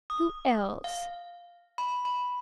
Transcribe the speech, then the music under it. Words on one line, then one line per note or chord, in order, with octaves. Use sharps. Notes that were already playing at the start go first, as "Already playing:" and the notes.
Who else?
D#6
F5
B5
B5